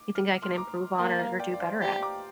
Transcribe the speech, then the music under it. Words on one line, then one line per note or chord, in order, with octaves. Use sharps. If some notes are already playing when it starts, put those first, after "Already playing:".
you think I can improve on or or do better at?"
Already playing: D6
F6
C6 F6
A#5 D6
A#3 G5 C6
F5 A#5
D5 G5
D5
C5 F5
G4 D5 G5
A#5 D6